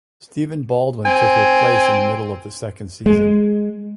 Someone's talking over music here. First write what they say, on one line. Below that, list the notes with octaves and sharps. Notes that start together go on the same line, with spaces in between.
Stephen Baldwin took her place in the middle of the second season.
C4 G#5
G#3